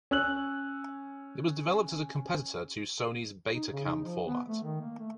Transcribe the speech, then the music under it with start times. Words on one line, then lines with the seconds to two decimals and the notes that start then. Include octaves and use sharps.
It was developed as a competitor to Sony's Betacam format.
0.11 C#4 E6 F#6 F#7
3.52 D#4
3.72 C#3
3.85 D#4
4.04 F3
4.26 B3
4.48 A3
4.63 D#3
4.81 A#3
4.99 A3